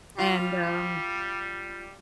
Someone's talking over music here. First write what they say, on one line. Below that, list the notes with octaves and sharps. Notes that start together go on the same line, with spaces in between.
And, um
G3 F4